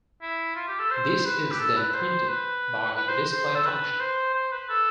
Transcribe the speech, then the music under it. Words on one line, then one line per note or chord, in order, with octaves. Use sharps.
This is then printed by the display function.
E4
F4
G4
A4
C5
B4
G4
A4
B4
C5
B4
B4
C5
C5
A4
B4
C5
C5
B4
A4